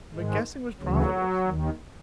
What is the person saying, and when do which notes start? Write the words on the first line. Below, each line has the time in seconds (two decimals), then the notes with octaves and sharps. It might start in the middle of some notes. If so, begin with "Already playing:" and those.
But guessing was profitless.
0.15 G#2 D#3 G#3
0.81 D2 C#3 E3 F#3
1.46 D#2 D#3